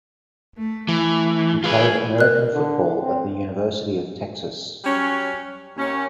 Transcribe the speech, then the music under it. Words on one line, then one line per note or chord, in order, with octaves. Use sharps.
He played American football at the University of Texas.
A3
E3 A3
F4 G#4 B4
A#4 D5 F#6
D3
C4
F#3 G3 C#4
D#2 C#4